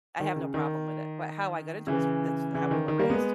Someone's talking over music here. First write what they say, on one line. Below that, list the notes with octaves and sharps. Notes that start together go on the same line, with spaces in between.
I have no problem with it. But how I got into it is that's how we were raised.
D#3
C#3
D#3
C#3 E3
C#3 E3
D#3
D#3
G3 A#3
G#3 B3